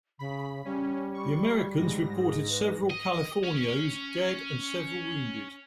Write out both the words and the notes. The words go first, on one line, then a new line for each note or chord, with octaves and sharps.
The Americans reported several Californios dead and several wounded.
C#3 B5 B6
G3 C#4
C#6
G#2 A#6
G#4
B4
D#5
C#4